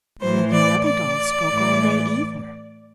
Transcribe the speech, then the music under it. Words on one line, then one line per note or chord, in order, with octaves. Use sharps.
None of the other dolls spoke all day, either.
A2 E3 C5
D5
D5
A2 E3